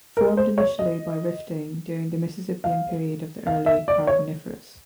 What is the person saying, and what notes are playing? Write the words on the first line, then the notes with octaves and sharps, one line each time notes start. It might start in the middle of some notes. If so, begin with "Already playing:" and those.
Formed initially by rifting during the Mississippian period of the Early Carboniferous.
A#4
C5
C#5
D#5
F5
F5
E5
D5
C#5